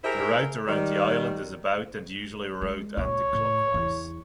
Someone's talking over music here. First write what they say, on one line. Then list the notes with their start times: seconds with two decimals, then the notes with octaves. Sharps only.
The route around the island is about and usually rowed anticlockwise.
0.03 E4 G4 G#4 A#4 C5 E5
0.67 D#3 G3
2.62 G#3
2.97 C#2 A#2 C#5
3.33 A2
3.74 E2